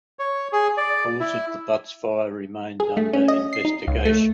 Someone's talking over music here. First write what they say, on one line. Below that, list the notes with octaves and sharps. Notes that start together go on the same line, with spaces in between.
The cause of the Butts fire remains under investigation.
C#5
G#4
D5
E4
G#4
A3
C#4
D#5
C7
D#4
C#2
A3